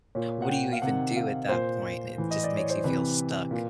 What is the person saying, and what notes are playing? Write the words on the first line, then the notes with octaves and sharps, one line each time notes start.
what do you even do at that point? It, just, makes you feel stuck,
A#2 C#5
F#5
G5
F5
C3 D#3 F#5
F5
A#2 C5
A2 E3
D#5
D5
C#5
C5
C3 E3 B4
A#2